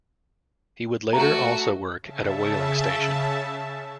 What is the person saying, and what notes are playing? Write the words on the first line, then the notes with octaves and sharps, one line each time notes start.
He would later also work at a whaling station.
A3 F#4 A#5
C#3 E5 A5